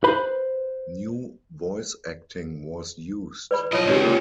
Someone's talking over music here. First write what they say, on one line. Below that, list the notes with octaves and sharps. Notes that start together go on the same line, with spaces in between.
New voice acting was used.
B4 C5 B5
B4 D5 B5
B1 F3 F4 C#5 D#5
G#1 C#2 G4 C#5 D5
A#2